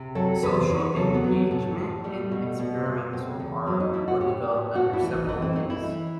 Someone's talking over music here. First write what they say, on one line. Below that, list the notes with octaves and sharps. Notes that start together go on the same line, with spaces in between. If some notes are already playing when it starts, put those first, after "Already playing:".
Social engagement and experimental art were developed under several ways.
Already playing: C3
F#3 A4
E2 B4
C5
E2
B4
F#3 A4
B3
F#3
A3
A2
A2
G3 A3
B2 A3
B2 B3
B2
A3 C4
E2
F#3 C4
D#4
A3 E4
F#4
A2 G4
A2
A2 F#4
E4
E3
F#4
D#4
E3 E4
C4
A3 D#4
E4
E3